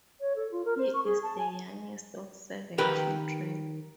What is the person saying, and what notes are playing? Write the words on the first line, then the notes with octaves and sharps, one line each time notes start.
He is the youngest of seven children.
C#5
A4
F4
A#4
C5
C#6
G#4
A5
G#5
D#3 G4 A#4 B4